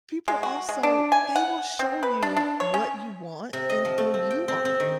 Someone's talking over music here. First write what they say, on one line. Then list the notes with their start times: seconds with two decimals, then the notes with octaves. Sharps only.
people also they will show you what you want and who you are
0.28 G#3
0.43 F#4
0.69 G#3
0.83 D4
1.12 G#5
1.36 F#5
1.79 C4
2.03 B4
2.23 D4
2.37 D4
2.60 C#5
2.74 C#4
3.53 C3
3.69 D#5
3.85 F3
3.98 A3
4.14 C4
4.31 G5
4.48 C4
4.65 C4
4.80 D#3